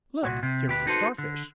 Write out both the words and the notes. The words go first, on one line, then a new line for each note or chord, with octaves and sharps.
Look, here is a Starfish!
C2 F2 A#2 F#4
C3
D2 G4 B4
D#4 F#4 A4 B4 C5
D3